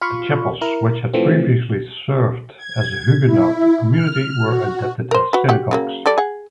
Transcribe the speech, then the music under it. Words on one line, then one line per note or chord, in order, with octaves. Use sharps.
The chapels, which had previously served the Huguenot community, were adapted as synagogues.
F4 F5 B5 C#6
E4 A#4
E3 F3 A3 C4
G#6
E4
F6
F#4
A#4 C5
F#4 B4
F#4 G4 F#5
C#3 F#3 A#3
G3 A4 D5
G#4 F#5